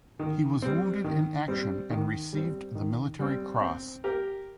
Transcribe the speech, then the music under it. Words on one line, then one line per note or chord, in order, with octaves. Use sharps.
He was wounded in action and received the Military Cross.
D#3
G3 C4
D#3
G3 C4
D#3
G3 C4
D#3
G3 C4
C4
G4 A#4